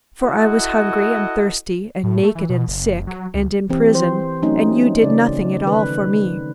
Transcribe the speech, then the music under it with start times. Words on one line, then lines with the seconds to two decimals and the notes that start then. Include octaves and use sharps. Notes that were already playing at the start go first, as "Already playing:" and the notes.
For I was hungry, and thirsty, and naked, and sick, and in prison, and you did nothing at all for me.'
0.22 E4 F#4 A4 D#5
2.03 A2
2.23 A3
2.35 E3
2.49 B2
2.68 F#1
3.07 F#3
3.34 C#2
3.70 E3 C4 G4
3.95 C5
4.42 F#3 A3 C4 C#4 D#4
5.02 C#3 D5
5.63 D#3 B4